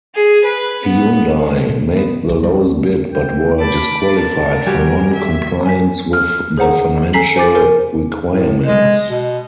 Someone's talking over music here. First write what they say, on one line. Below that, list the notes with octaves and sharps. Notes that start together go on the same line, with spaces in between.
Hyundai made the lowest bid but were disqualified for non-compliance with the financial requirements.
G#4
B4
B3
B2
B3
C2
G3
G5
A5 B5 D6
A#4 A5
G3 F#4 G4 G#5
E5
G#5 B6
F6
G#4 C5 F#5 A#5
A4 G#5 A#5 B6 C7 F#7
C5 G#5 D6 A6
A#4 C5 G#5
A2
G#3
B2